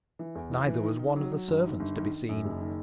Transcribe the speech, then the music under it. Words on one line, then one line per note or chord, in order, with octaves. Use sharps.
Neither was one of the servants to be seen.
E3
E2
E3
E3
D#3
D#3
F#3
F#3
G1
D#3
G1
D#3
D#3
F#2
F#1
D#3